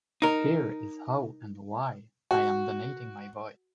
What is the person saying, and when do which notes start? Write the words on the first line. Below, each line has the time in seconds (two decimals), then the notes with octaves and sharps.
Here is how and why I am donating my voice.
0.22 D#4 A#4
2.31 F#4